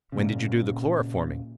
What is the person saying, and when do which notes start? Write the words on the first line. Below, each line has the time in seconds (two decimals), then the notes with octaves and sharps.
"When did you do the chloroforming?"
0.12 A#2 C#3